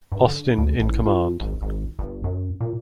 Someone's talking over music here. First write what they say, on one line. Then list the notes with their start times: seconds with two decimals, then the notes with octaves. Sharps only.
Austin in command.
0.12 G2
0.26 D3
0.58 D2
0.80 A1
1.06 F4
1.41 G#1
1.62 G#1
1.99 G1
2.24 F#2
2.61 A#2